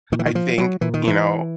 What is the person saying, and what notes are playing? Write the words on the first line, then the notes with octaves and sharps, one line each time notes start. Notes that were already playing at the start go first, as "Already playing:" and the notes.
I think, you know,
A#2 D#3
E3
D#3
F3
F#3
A#2 E3
D#3
E3